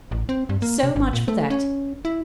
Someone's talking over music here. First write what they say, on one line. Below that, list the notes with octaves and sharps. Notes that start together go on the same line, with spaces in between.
So much for that.
A1
C4
G2
A#3
C3
G#1
A#2
A3
C#4
E4